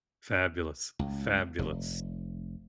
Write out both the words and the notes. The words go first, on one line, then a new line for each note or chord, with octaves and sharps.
Fabulous, fabulous.
C#2
F1